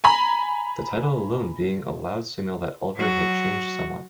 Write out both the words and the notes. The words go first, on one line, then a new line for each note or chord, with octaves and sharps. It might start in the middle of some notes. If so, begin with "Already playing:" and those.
The title alone being a loud signal that Ulver had changed somewhat.
G#5 A#5 B5
F#3 F#4